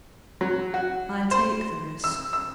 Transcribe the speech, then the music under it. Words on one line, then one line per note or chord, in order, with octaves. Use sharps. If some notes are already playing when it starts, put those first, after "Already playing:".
'I take the risk.
F#3
F#4
C5
E6
E6